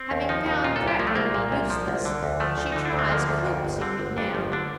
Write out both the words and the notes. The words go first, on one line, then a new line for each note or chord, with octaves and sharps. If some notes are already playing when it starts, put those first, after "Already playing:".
Having found threatening me useless, she tries coaxing me now.
Already playing: C4
D#2
F3 D#4
D#2
A#2 F4
A4
C2
G4
F3 A#3
A3
C2 A#3
A#2
C2
F3
C2
D3
D2
F3 A3
D2
D3 D#4
D4
D2
C4
F3 A#3
D2
F2
G1
D3 C4
G1
F2 D4
G1
D3 D4